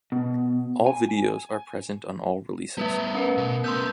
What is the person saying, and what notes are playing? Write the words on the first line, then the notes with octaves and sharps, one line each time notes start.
All videos are present on all releases.
B2
G#5
G3 A3 B3 B4 E5
C#4 A#4 B4
B2
A3 B3 C6 E6 G6